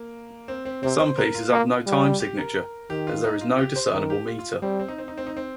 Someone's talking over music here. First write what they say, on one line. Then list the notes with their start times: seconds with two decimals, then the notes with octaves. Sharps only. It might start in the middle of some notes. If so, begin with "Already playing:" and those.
Some pieces have no time signature, as there is no discernible meter.
Already playing: A#3
0.48 C4
0.65 C4
0.83 C3 C4
1.00 C5
1.18 A#4
1.35 F4
1.52 A#3
1.86 G3
2.20 G4
2.38 A#4
2.90 D#3 G4
3.07 F4
3.24 D#4
3.41 F4
3.59 G4
3.76 C5
3.93 D#3 A#4
4.10 G4
4.27 F4
4.39 F4
4.62 G3 C4
4.80 C4
4.88 D#4
4.98 C4
5.08 D#4
5.18 C4
5.27 D#4
5.37 C4